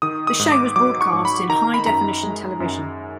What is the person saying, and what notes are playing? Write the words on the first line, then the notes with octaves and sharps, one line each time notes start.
The show was broadcast in high definition television.
D#3 D#6
D#6
G#2
D6
F#3 D6
C#6
G#2
B5
D#3 A#5
B5
F#2 A#5
G#3
F#2